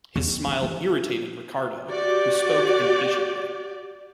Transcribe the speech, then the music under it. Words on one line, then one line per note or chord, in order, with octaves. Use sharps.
His smile irritated Ricardo, who spoke impatiently.
E2
C4
D#3
E3
F#4 G4 D5